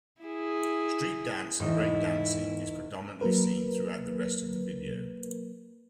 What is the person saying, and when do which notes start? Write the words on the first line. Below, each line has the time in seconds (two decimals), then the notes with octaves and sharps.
Street dance and breakdancing is predominately seen throughout the rest of the video.
0.22 E4 G#4
1.60 E1 G#2 E3 D#4 E4 D#7
3.21 F#3 A#3 A#4 B4